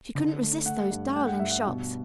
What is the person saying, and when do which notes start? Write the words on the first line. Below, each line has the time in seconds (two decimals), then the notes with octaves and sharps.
She couldn't resist those darling shops.
0.15 D3
0.41 A3
0.66 A3 F#5
0.91 G2
1.16 A3 G5
1.27 F#5
1.40 G2 E5
1.51 F#5
1.67 B2